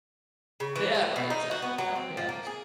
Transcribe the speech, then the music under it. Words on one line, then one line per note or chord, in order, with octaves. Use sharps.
Yeah, right, exactly no, yeah.
C#3
E3
A3
B2
D#4
F#4
B3
F#3
C4
F3
A#3
G#4